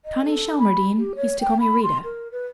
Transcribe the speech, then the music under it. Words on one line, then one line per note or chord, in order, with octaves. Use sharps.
Connie Shelmardine used to call me Rita.
D#5
A4
B5
G4
C#5
G5
B5
C6
A#4
B4